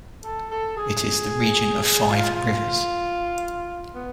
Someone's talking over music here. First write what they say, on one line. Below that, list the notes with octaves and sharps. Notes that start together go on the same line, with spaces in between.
It is the region of five rivers.
A4
A4
G#4
G#4
F4
F4
B3